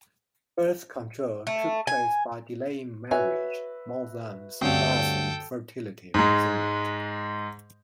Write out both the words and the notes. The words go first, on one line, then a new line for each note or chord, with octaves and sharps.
Birth control took place by delaying marriage more than suppressing fertility within it.
A3
G#5
F#4 B4 C#5 E5 G#5
D2 G2 C4 C#4 A4 G5
G#2 G#3